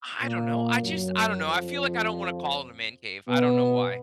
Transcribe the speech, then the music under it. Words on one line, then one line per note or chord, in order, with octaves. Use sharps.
I don't know. I, just, I don't know. I feel, like, I don't wanna call it a "man cave." I don't know why.
A#2 A#3
F#2 F#3
F2 F3
B2 B3